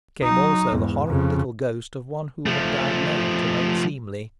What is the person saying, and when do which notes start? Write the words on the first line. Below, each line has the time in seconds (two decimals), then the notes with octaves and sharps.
Came also the horrid little ghost of one who had died late and unseemly.
0.23 F#3 D#4
0.73 E2 G#2
1.07 F2 C#3
2.46 F3 A3